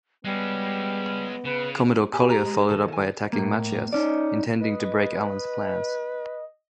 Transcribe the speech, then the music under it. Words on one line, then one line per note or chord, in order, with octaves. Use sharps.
Commodore Collier followed up by attacking Machias, intending to break Allan's plans.
G3 G#3 B3 C#4
C#3 B4
G4 G#5 A5 B5
A#5
G#3
D#3 A4
E4 G#5
A2 A#3
C#4 D#4 D5
B4 D#5